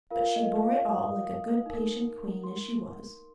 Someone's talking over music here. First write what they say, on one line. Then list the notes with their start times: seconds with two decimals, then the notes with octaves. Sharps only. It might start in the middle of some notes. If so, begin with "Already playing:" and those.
But she bore it all like a good patient queen as she was.
0.11 F4 A#4 F5
0.36 D#5
0.63 F5
0.88 D#6
1.66 D#4 A#4
2.44 C6